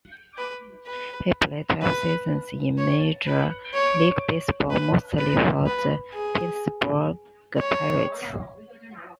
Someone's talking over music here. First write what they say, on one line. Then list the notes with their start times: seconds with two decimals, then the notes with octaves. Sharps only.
He played twelve seasons in Major League Baseball, mostly for the Pittsburgh Pirates.
0.38 B4
0.87 B4
1.82 B4
2.78 C#5
3.27 B4
3.74 C#5
4.71 B4
5.18 B4
5.66 B4
6.14 G#4
7.59 C#5